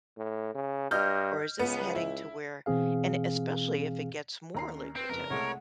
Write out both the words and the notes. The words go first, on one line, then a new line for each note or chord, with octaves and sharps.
or is this heading to where, and especially if it gets more lucrative
A2
C#3
G2 D#5 F6 G6
C#2 B3
E4
B2 E3 C4 G#4 F5
D#2 A#5 C7
C#4
C4 B4
F#1 F2 A#4
C2 G#3 A3 C#5 F#5